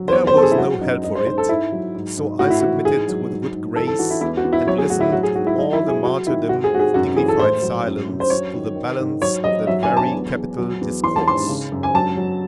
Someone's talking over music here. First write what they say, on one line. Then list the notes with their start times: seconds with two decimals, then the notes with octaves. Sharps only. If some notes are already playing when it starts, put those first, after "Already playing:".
There was no help for it; so I submitted with a good grace, and listened, in all the martyrdom of dignified silence, to the balance of that very capital discourse.
Already playing: F#3
0.08 C5
0.12 E2 C#5
0.27 C5
0.35 E2 A4
0.43 G#4
0.51 E4
0.58 F#3 F#4
0.81 F#2 D#4
1.04 G#2 D#4
1.15 C5
1.27 G#2 C5
1.38 A4
1.49 G#2 E4
1.72 F#3
1.95 G#2
2.17 G#2
2.39 A2 F#4
2.50 E4
2.60 F#4
2.63 E3
2.85 G#2 G#4
3.08 F#3
3.30 G#2
3.54 G#2
3.76 E3 A4
3.87 A4
3.99 E3 F#4
4.10 E4
4.21 E2 E4
4.37 F#4
4.44 E2
4.53 E4
4.67 F#3 C#5
4.78 G#4
4.89 A2 F#4
5.01 E4
5.12 F#3 F#4
5.23 G#4
5.35 G#2 F#4
5.47 E4
5.58 F#3 D#4
5.73 E4
5.80 F#3
5.88 G#4
6.04 F#3 F#4
6.27 D#3 E4
6.48 G#2 F#4
6.64 G#4
6.72 G#2 F#4
6.79 G#4
6.94 F#2 F#4
7.17 E3 G#4
7.28 A4
7.39 A2 C5
7.62 F#3
7.86 F#2
8.08 F#2
8.20 C5
8.30 F#3 C#5
8.53 D#3
8.76 D#3
8.99 G#2
9.22 F#3 C#5
9.44 F#3 D#5
9.67 F#3 E5
9.83 G#5
9.89 F#3
9.97 A5
10.12 E2
10.35 E2
10.58 F#3
10.81 E2
11.03 E3 C6
11.16 A5
11.26 G#2 C6
11.49 C#3
11.72 F#2
11.83 G#5
11.94 F#3 A5
12.17 F#3